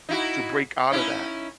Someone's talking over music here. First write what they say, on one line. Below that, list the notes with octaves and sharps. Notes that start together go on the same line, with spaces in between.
to break outta that,
D#4 E4 F#4
C#4 D#4 E4